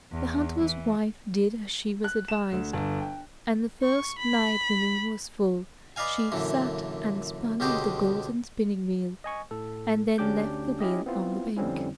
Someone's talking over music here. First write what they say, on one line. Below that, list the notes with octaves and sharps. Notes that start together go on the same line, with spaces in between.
The hunter's wife did as she was advised, and the first night the moon was full she sat and spun with a golden spinning-wheel, and then left the wheel on the bank.
E2
E3
F#6
E7
D2
G1
G5
C#6
B5
B4 D5 D#5 F5 G#5
F#2 A#2 D3 E3
C#2 B2 D3 G4 C5 D#5
D#5 G#5 C#6
A2 A4
D2 C#4 D4 G4 D6 G6
C#4 E4 G4 D#5
B3 C4 E4 F4
F2 D3 G3 C4 C#4 E4